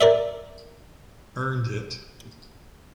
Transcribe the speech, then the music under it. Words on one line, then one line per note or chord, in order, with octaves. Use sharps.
Earned it!
A#4 D5 E5